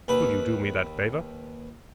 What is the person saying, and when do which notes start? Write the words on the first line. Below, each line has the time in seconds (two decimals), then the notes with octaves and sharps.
Will you do me that favour?'
0.08 D#2 B4